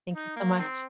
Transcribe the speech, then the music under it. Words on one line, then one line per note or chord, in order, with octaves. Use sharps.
Thank you so much.
D#4
A#3
D#3 C4